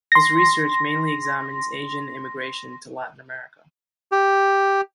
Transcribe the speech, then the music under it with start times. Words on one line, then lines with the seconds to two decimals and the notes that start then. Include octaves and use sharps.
His research mainly examines Asian immigration to Latin America.
0.12 C6 A#6
4.12 G4